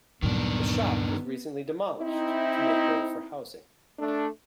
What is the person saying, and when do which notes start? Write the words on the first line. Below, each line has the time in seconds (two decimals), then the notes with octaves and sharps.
The shop was recently demolished, to make way for housing.
0.22 D2 G2 A#2 D#3 F#3 B3 D4
1.99 C4 D#4 E4
3.99 A3 D4